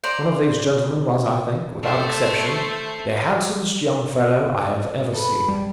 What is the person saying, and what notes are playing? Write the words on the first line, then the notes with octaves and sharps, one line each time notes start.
One of these gentlemen was I think, without exception, the handsomest young fellow I have ever seen.
C5 D5 A#5 C6
A3 C5
A4 B4
G3